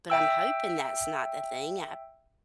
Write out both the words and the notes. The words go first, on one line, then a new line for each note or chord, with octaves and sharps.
but I'm hoping that's not the thing, I
E5 G5 E6